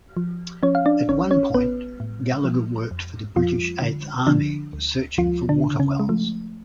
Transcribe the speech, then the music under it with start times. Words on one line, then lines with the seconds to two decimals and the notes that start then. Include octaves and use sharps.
At one point, Gallagher worked for the British Eighth Army searching for water wells.
0.17 F3
0.63 F3 C#4 C#5
0.75 F5
0.86 D4 D5
1.08 A1 C#4 C#5
1.31 C#4 C#5
1.53 A1 B3 B4
2.00 A2
2.44 F3
2.91 F2
3.36 F2 F3 F4
3.82 D3
4.27 D3 F3 D4
4.73 D2
5.18 D2 F3 F4
5.49 D3 D4
5.64 C#3
5.79 C#3 C#4
6.00 G#3
6.09 F3 A3